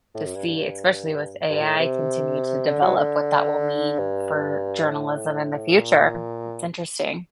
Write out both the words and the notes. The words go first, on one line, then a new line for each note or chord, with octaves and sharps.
to see especially with AI continue to develop what that will mean for journalism in the future. It's interesting.
A2
F#2
G2
G2
G2
A#2
A2
C3
D3
F#3
D3
G2
A2
A#2